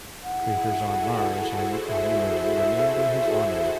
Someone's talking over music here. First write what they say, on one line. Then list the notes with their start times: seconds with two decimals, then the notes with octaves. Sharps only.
Craters on Mars and on the Moon were named in his honor.
0.23 E4 G#4 F#5
0.65 F#4 A4
1.06 E4 G#4
1.47 G#4 C5
1.88 E5